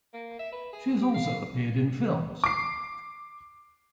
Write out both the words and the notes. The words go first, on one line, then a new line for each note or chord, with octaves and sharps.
She has also appeared in films.
A#3
E5
B4
G#4
G4
F5
D6 C7